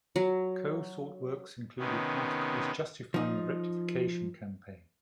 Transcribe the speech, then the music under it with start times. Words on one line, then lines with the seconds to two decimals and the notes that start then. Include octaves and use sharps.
Coe sought works included articles justifying the Rectification campaign.
0.16 F#3
1.78 C3 D#3 B3 C#4
3.14 F3 D#4